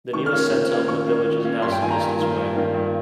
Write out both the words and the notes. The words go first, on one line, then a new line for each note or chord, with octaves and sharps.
The newer centre of the village is now some distance away.
D#3 C#6
F6
A#3 C#4 F4
D#3
A#3 C#4 F4
D#3 C#6
A#3 C#4 F4
D#3
A#3 C#4 F4
G2 C6
G5
D#3 A#3 F4 G#5
A#5
G2
D#3 A#3 F4
G2
D#3 A#3 F4
G2